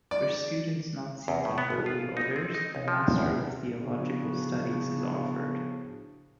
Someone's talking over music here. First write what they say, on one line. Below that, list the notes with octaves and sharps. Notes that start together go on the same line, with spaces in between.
For students not seeking Holy Orders, a Master of Theological Studies is offered.
D5
E2
A2
B3
G#1
F4
D#4
C4
D#4
C#2
F3
E2
A2 C#3 F3 B3 D4 F#4